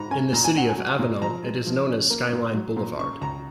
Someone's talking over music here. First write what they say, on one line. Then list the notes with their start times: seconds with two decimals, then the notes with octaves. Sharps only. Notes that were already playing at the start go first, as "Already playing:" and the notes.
In the city of Avenal, it is known as Skyline Boulevard.
Already playing: G#2 A#5 B5
0.11 C#4 G#5
0.33 A#2 A#5
0.45 G#5
0.55 C#4 F#5
0.69 G#5
0.78 F#3
0.99 A#2
1.22 F3 A#5
1.44 G#3
1.66 F3
1.89 C#4
2.10 A#3
2.33 A#2
2.54 F#3
2.77 A#2
2.99 C#3 C#6
3.21 C#2 A#5